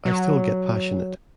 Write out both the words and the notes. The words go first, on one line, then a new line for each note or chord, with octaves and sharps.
I still get passionate.
F#3